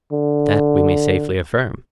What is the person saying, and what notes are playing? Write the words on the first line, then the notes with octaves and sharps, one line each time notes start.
That we may safely affirm.
D3